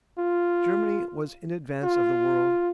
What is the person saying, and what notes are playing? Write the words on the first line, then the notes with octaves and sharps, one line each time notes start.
Germany was in advance of the world.
F4
F4